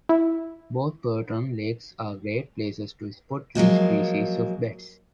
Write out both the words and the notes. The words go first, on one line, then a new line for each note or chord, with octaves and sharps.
Both Perton lakes are great places to spot three species of bats.
E4
F3 F#3 G#3 A#3